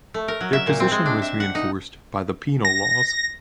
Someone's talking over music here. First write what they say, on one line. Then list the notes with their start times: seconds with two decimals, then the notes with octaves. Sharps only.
Their position was reinforced by the Penal Laws.
0.14 A3
0.28 A#4
0.41 F#3
0.53 E5
0.67 A#2
0.80 C4
0.91 G#3
1.06 D4
1.22 E5
1.40 F#5
1.55 D#4
2.65 A#6